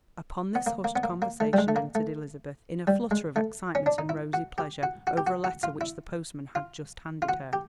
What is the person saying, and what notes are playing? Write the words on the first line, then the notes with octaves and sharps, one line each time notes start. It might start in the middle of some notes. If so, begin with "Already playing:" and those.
Upon this hushed conversation entered Elizabeth in a flutter of excitement and rosy pleasure over a letter which the postman had just handed her.
B3
A#3
A#3
B3
A#3
A#3
A3
G3
G#3
A3
A#3
A3
G3
G#3
A3
C#4
D4
D#4
E4
F#4
G4
F#4
F#4
G4
F#4
F#4
F4
E4
F4
F4
F#4
G4